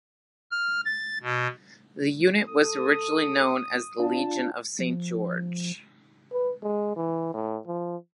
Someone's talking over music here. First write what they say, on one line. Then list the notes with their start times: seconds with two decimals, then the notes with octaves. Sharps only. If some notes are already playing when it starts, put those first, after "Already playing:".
The unit was originally known as the Legion of Saint George.
0.51 F6
0.85 A6
1.22 B2
2.48 A4 D#6
4.00 D4 F4 A5
4.79 F3
6.32 B4
6.63 G#3
6.96 E3
7.34 A2
7.67 F3